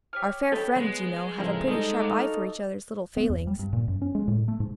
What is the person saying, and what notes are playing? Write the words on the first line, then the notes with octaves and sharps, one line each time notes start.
Our fair friends, you know, have a pretty sharp eye for each other's little failings.
G4 C#5 F6
G4 A4 C#5 D#5 B5
G#3 B3
A2 C#3 F3 C4 E4 A#4
G3 D#4 A4 C5 D#5
F#4 F5 D6
B3
E2
G3
G2
A#2
F#2
C#4
G#3
A2
A3
G#2